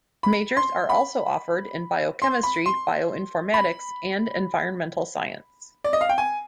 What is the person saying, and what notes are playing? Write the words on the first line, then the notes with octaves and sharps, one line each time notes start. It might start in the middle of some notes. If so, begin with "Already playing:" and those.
Majors are also offered in Biochemistry, Bioinformatics, and Environmental Science.
B5
C6
B5
C6
B5
C6
B5
D5
D#5
F5
G5
G#5